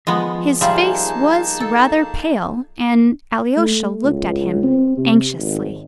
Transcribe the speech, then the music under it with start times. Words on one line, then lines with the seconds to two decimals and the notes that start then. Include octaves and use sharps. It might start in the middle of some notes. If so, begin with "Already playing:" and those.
His face was rather pale, and Alyosha looked at him anxiously.
0.07 F3 G#3 B3
0.61 F3 G3 A#3 D#4 G#4 E5 A5
1.60 A4
3.57 A3
4.04 C#2
4.63 C4
4.97 C3
5.38 G#1